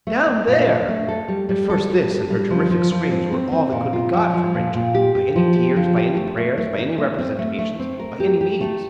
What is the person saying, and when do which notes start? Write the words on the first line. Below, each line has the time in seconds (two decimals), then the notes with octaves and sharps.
Down there!’ At first this, and her terrific screams, were all that could be got from Rachael, by any tears, by any prayers, by any representations, by any means.
0.07 A3
0.27 D4
0.47 A#2
0.67 D4
0.88 A3
1.08 A4
1.28 G3
1.49 G3
1.70 A4
1.90 G3
2.10 D4
2.30 G3
2.50 F3
2.71 F3
2.91 F3
3.11 C4
3.32 C4
3.52 C4
3.72 A#2
3.93 F4
4.13 F3
4.33 F3
4.54 A#2
4.74 A#2
4.94 G4
5.15 G4
5.36 F3
5.56 G4
5.76 F3
5.96 G4
6.17 A3
6.37 A3
6.58 A3
6.78 D#4
6.98 A3
7.18 C4
7.39 A3
7.59 A3
7.79 C4
7.99 A#4
8.20 G4
8.41 G4
8.61 A3